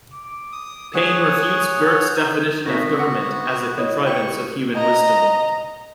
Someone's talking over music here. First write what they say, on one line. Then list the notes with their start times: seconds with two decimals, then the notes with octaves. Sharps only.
Paine refutes Burke's definition of Government as "a contrivance of human wisdom".
0.14 D6
0.53 D#6
0.95 G#4 C#5 F#5 D#6
1.82 G6
2.17 D#4
2.66 G#1 D#3 B3 F#4 A#6 B6
2.99 F#5
3.78 E4 C#5 D#5 D#6
4.06 G4 C#6
4.75 D#5 A#5